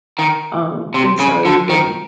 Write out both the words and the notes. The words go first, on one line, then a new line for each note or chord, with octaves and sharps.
Um, and, so, even
D#3
C3
C#3
D3
D#3